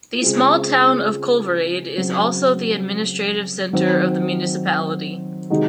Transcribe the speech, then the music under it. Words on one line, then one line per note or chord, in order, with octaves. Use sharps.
The small town of Kolvereid is also the administrative centre of the municipality.
C#3 G#3 C4 F4
C#3 F#3 C4
D#3 F#3 C4
C3 D#3 G#3 D#4 F#4